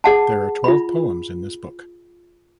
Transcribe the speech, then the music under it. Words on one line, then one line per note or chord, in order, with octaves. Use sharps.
There are twelve poems in this book.
G#4 F#5 A5
F4 B5